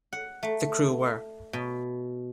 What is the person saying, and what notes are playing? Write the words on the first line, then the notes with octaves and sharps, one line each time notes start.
The crew were.
F#5
A3
B2